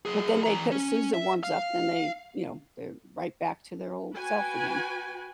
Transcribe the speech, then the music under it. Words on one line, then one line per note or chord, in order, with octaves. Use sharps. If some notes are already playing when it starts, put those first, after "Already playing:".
but then they c as soon as it warms up, they you know, they're right back to their old self again.
F#3 G#4
E3 A#5
C#4
E5
F5
F#4 B4 G5 G#5